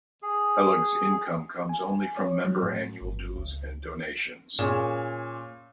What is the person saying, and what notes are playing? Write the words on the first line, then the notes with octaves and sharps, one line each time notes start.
Hellug's income comes only from member annual dues and donations.
G#4
G#5
C#5
F#3
A2
G1
C#2
A#2 C#4 G#4 E7